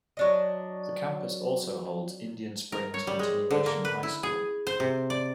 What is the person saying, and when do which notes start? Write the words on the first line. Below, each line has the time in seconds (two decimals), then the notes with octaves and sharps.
The campus also holds Indian Springs Continuation High School.
0.17 F#3 D4 D#5
2.72 A#4
2.94 C#5
3.07 G3
3.19 G#3
3.51 D3
3.66 A#3
3.85 B4
4.03 E4
4.23 G#4
4.67 C5
4.80 C3
5.10 D5